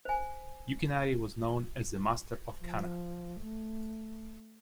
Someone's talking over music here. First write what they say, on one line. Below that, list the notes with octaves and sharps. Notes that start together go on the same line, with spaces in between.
Yukinari was known as the master of kana.
C5 G#5
F3
A3